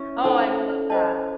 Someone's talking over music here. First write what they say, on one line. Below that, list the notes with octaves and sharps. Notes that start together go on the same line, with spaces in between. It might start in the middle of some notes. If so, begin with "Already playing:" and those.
Oh, I would love that.
Already playing: C#4 E4
A3 D#4 A4 C5
C5 D#5 A5